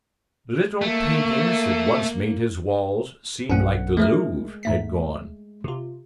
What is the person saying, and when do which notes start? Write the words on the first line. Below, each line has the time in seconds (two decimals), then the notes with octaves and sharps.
Little paintings that once made his walls seem like the Louvre had gone.
0.82 A3 A#3
3.49 B1 G2 C#4 F#5
3.97 G#3 A3 G#4 A#4
4.63 G#2 A3 B6
5.64 C3 F4